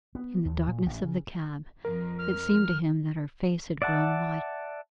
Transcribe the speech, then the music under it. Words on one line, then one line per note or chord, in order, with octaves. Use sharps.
In the darkness of the cab it seemed to him that her face had grown whiter.
B3
D#2
A#2
A1
C#3
F2 A#4
F6
D5 E5 F#5 A5